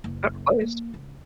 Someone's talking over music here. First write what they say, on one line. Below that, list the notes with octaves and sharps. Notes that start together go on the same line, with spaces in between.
Uh, honest
F#1
A#3
C#2